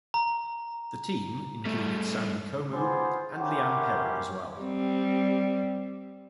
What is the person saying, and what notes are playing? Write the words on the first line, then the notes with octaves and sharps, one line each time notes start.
The team included Sandy Comeau and Leanne Perron as well.
A#5
G3 A3
B3 F4 G4 G#4 C5
A#3 C#4 E4 G4 F#5 C6
G3 C4